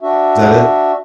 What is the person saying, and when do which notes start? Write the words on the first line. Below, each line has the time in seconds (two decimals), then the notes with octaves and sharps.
Is that it?
0.01 D4 F#4 E5